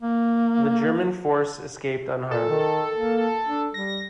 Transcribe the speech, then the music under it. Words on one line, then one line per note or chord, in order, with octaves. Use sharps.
The German force escaped unharmed.
A#3
A#2 A4
D#3
A#3
D4
G3 A#6